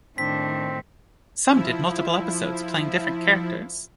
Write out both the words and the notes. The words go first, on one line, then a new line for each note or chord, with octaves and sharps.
Some did multiple episodes playing different characters.
A2 D#3 C4 D4 B6
F3 E4